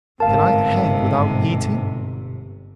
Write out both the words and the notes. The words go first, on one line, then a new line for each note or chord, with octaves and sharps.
Can I hang without eating?
G1 G#2 C3 A#4 F5 A5
B2